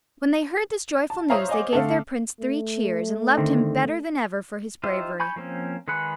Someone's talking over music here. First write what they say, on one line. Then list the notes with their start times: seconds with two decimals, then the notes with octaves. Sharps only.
When they heard this joyful news they gave their Prince three cheers, and loved him better than ever for his bravery.
1.10 A5
1.30 C5 C#5 E5 F5 A#5 D#6
1.49 D#5 G#5 D6
1.73 D3 A3 A4 E5 F5
2.40 A3
3.37 D3 D#3 C4
4.84 D#4 F4 G4 C5 E5
5.20 G#5 B5 C#6 G6
5.36 F3 A#3 C4 C#4
5.88 D#3 G#3 G#4 B4 F#5